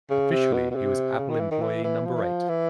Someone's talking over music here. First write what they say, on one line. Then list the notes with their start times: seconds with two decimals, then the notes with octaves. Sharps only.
Officially he was Apple employee number eight.
0.10 C#3
0.32 C3
0.53 B2
0.71 B2
0.76 C3
1.18 C#3
1.29 D#3
1.40 E3
1.51 D#3
1.62 E3
1.84 E3
2.05 F3
2.14 E3
2.21 F3
2.49 E3